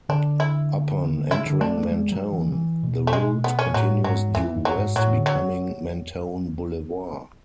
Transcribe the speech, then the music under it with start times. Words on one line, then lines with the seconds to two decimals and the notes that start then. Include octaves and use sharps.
Upon entering Mentone, the route continues due west, becoming Mentone Boulevard.
0.09 D3 D4
0.40 E4
1.31 C#3 E4
1.46 D3
1.61 A3 D4
1.77 A3
1.91 G#3
2.12 F#3
2.33 E3
2.52 E3
2.83 B2
3.07 A3
3.13 G#3
3.44 B3
3.59 C#4
3.73 A2 F#3
4.04 G#2 F#3
4.35 E2 E3
4.56 F#2
4.65 F#3
4.75 G#2
4.96 A2 F#3
5.16 D3
5.26 F#3